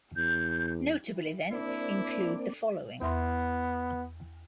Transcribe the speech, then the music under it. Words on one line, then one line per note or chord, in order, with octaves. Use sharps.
Notable events include the following.
E2 G6
A#3 C4 D4 E4 D5
E2 B3 E5 C6